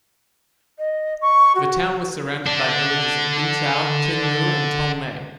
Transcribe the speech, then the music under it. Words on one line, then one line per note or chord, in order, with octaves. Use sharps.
The town was surrounded by villages of Un Chau, Tin Liu and Tong Mei.
D#5
C#6
F#4
D3 D4